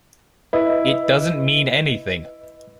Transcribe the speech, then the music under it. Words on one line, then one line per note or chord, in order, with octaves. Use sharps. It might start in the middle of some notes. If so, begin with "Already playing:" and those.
It doesn't mean anything.
E4 B4 D#5